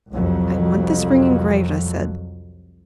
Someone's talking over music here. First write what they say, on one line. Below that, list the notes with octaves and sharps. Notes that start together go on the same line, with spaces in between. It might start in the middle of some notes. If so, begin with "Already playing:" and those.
"I want this ring engraved," I said.
C2 F2 F#3